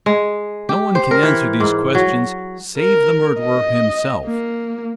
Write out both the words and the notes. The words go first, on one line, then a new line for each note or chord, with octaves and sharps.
No one can answer these questions, save the murderer himself.
G#3
G4
C5
A#4
E3
G#2
F#3
A#4
D#5
A#3